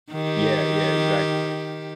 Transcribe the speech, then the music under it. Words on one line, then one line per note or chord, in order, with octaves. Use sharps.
Yeah, yeah, exactly, like
D#3 G4